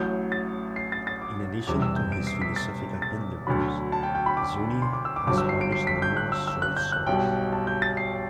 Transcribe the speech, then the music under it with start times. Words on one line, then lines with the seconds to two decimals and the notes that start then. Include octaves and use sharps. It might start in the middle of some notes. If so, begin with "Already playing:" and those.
In addition to his philosophical endeavors, Azzouni has published numerous short stories.
Already playing: A1 A2 F#3 G6
0.32 A6
0.76 C7
0.92 A6
1.07 A6
1.22 D6
1.67 E1 E2 C3 E3 G3 D6
1.82 E6
1.96 G6
2.12 D7
2.27 C7
2.42 B6
2.56 A6
3.02 A6
3.47 D2 D3 F#3 B5
3.92 A5
4.03 G5
4.15 G5
4.26 B5
4.37 D6
4.82 C6
4.93 D6
5.05 E6
5.16 D6
5.27 G1 G2 F#3 D6
5.38 E6
5.49 C7
5.61 D7
5.72 C7
5.87 B6
6.02 G6
6.17 F#6
6.32 E6
6.47 E6
6.62 F#6
6.76 G6
6.92 F#6
7.07 B1 B2 G3 G5
7.53 A5
7.67 G6
7.82 A6
7.97 C7